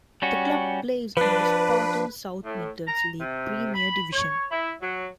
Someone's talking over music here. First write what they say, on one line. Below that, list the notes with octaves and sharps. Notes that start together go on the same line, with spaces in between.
The club plays in the Spartan South Midlands League Premier Division.
G3 C#4 F#4
F3 D4 B4
A2
A#5
C3
B5
C#5
E4
F#3